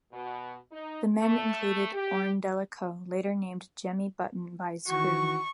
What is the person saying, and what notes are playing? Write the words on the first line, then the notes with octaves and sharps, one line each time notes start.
The men included "Orundellico," later named Jemmy Button by his crew.
B2
D#4
A3
G4
D#3 E3 F#4 C#6